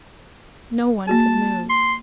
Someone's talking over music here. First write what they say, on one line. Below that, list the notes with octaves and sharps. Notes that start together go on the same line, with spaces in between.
No one could move.
A#3 F#4 G#4 A5
C6